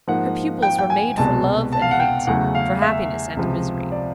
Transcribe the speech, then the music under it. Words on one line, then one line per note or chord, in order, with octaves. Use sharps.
Her pupils were made for love and hate, for happiness and misery.
G#2 F3 A#3 F#5
G5
G5
G#5
C2 B2 G#3 A5
A5
F5
F#5
G5
E2 C#3 F#3 A3 F#5
F5
E5
C#2 C3 F3
D5